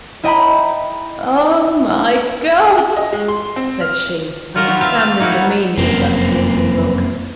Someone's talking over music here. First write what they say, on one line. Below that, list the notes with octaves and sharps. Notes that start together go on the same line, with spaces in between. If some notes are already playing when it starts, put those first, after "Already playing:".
'Oh, my God!' said she, understanding the meaning of that tearful look.
E4 D#5 G5 A#5 B5
D#5
G#3
C6
C4
F6
F4 F#4 A#4 C5 D#5
D#3 F#3 B3 G4
C4 F4 E5 F5
F5
A#3 D#4 E4 F#4 F5
B3
F1 F#2 A#3 C4